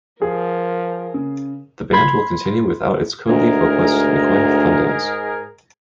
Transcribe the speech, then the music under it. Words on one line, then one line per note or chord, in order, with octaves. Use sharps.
The band will continue without it's co-lead vocalist Mcoy Fundales.
F3 G#4 A#4
C#3
B5 C6 G#6 B6
D2 G#2 G#4 A#4